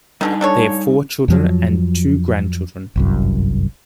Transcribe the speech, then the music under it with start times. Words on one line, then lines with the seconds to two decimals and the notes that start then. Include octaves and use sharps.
They have four children and two grandchildren.
0.21 B2 D3 D#3 G3 D#4 G#5
0.41 D4 A4 C#5
1.28 F2 F3 F#3
2.96 G1 C2 F#2